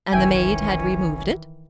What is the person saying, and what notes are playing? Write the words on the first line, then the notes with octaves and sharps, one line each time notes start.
"And the maid had removed it?"
F1 B1 D#3 E3 C#4 E5 G5 G#5